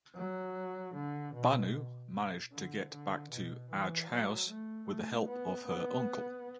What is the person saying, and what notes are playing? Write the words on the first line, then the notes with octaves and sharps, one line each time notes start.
Bhanu managed to get back to Aj house with the help of her uncle.
F#3
D3
B2
D3
D3
B2
E3
F#3
A3
A3
B3
B3